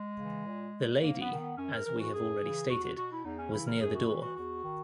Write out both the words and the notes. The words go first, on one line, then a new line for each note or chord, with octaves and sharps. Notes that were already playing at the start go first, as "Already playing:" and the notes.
The lady, as we have already stated, was near the door.
Already playing: G#3
C#3 E3
A#2
G#2 A#3
B3
D#3
B3
F#2 C#4
A#4
E3 A#4
F#4
F#2 G#4
C#3 E3
E2 F#4
F#4
B2 F#4
E4
E2 D#4
C#4
C#3 E3 E4
A#4
F#2 G#4
F#4
E3 F#4
F#4
E2 F#4
D#3